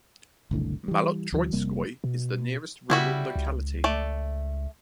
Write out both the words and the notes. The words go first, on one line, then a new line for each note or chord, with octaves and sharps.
Malotroitskoye is the nearest rural locality.
F#1 C2 A2 D3
E3 G3
D2 E3 F#3
F1 C3 G3 A#3
B2
C#3 G3 E4 F#4
C#2
A3 D5